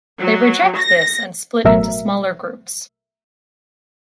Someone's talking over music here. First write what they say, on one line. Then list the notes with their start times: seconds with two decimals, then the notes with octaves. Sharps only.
They reject this and split into smaller groups.
0.21 F#3
0.77 A#6
1.65 A1 B2 F#3 A3 A#4 E5